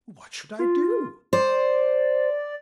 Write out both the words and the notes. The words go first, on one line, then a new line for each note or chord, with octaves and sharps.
What should I do?
F4
C5 D5